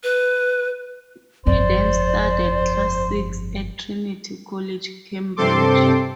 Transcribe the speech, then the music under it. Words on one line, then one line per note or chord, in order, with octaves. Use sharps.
He then studied Classics at Trinity College, Cambridge.
B4
G1 F2 C5 D5
G2 C3 C4 A4 C6 D6